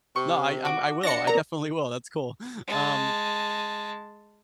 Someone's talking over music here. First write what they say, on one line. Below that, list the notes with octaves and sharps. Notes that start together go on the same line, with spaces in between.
Nah, I I'm I will, I definitely will, that's cool. Um,
C3 C#6
F#4 D6
D4 A#6 C#7
A#4 D5 A#5
G#3 A5